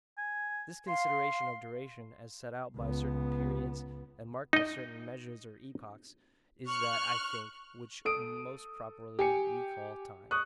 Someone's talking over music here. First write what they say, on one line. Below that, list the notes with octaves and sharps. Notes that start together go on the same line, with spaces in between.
This consideration of duration, as set out by certain periods and marked by certain measures or epochs, is that, I think, which most properly we call TIME.
G#5
F5 C6
C#2 B3
D#4 D#5
C#6 F6 F#6
A4 D#6 D7
G4 G#5 C#7
C#6 D#6 F#6